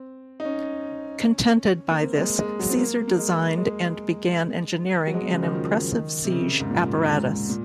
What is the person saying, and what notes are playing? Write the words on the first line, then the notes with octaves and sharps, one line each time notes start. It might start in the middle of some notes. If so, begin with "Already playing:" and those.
Contented by this, Caesar designed and began engineering an impressive siege apparatus.
Already playing: C4
D#4
C#4
A#3
C4
G#3
A#3
G#3
F#3
C4
A#3
A#3
G#3
G#3
F#3
G#3
C#3
D#3
F3
D#3
C3
C#3
G#2
A#2
G#2
A#2